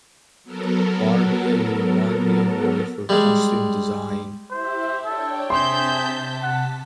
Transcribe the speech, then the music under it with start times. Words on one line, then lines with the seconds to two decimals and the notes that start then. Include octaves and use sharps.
Barbeau won the award for costume design.
0.44 F#3 B3 A4 A#4
3.09 G3 G#3
4.50 E4 G4 C5 E5
5.05 D4 A4 C#5 G5
5.50 C3 C4 G#4 E5 A5 C6 G6 B6
6.42 F#5